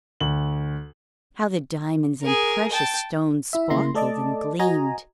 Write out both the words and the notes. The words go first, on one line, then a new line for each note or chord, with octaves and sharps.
How the diamonds and precious stones sparkled and gleamed!
D2 F#7
G#4 A#4
G5 A5
E4 E5
C#3 A#3 E4 C6 A#6
A3 A4 D5 D#5 A5 D6
F#4 D#5 G#5 A#5